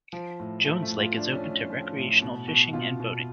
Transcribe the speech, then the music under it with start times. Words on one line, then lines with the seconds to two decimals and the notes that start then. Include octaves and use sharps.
Jones Lake is open to recreational fishing and boating.
0.13 F3
0.40 A2
0.65 F3 A3
0.83 A3
0.91 A2
1.00 F4
1.17 F3 D4
1.35 C#4
1.43 A2
1.69 F3
1.96 A2
2.22 B2
2.48 B2
2.73 B2 F4
3.00 B2